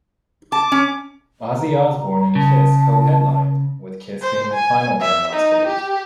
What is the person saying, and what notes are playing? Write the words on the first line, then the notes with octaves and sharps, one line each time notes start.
Ozzy Osbourne and Kiss co-headlined with Kiss being the final band on stage.
A5 D6
C#4
A#5
C#3 A5
C5
G#5
E5
D#4
G4